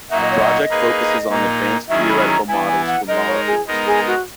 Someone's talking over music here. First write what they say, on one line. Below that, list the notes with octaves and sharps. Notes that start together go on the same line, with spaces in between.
The project focuses on advanced theoretical models for molecules.
A#2 F#3 A#3 D#4 F#4 E5
D#5
C#5
D#5
A#3 D#4 G#4 B4
A#2 A#3 D#4
D#3 F#3 C#4 E4 G#4 E5
B5
A#5
E3 B3 E4 G#5
G#5
F#5
G#3 D#4 A#4 D#5
C#5
G#4
G#3 B3 D#4 A#4
G#4
F#4